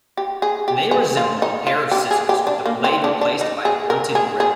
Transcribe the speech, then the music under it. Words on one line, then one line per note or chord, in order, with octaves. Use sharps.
They resemble a pair of scissors with the blade replaced by a blunted grip.
G4
G#4
G4
G#4
F4
D#4
F4
G4
G#4
G4
D4
A#3
C4
D4
D4
D#4
G#4
A#4
G#4
G#4